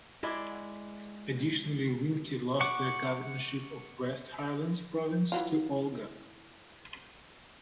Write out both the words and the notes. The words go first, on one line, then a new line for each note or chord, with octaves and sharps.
Additionally, Wingti lost the governorship of West Highlands Province to Olga.
G#3 E4 D5
F#5 C#6 D6
E3 F#3 F4